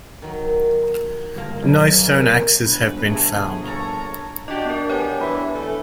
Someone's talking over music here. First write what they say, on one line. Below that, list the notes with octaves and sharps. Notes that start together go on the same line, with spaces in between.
No stone axes have been found.
D#3 F#3
G1 A#3 A5
B1
A#3 C#4
G1 B2 B4
A3 G#4
A#1 A#3 A4 C#5 A#5
D4 F#4 G4 D#5
B3 D4 A#4
B3 G4 C#5 G#5
E3 B4
A3